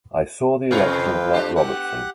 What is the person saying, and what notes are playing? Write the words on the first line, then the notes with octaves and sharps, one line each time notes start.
It saw the election of Nat Robertson.
F2 C3 A#4 B4 C#5 F5 G5
A3 D4 G4
A3 B3 G4 F#5 F#6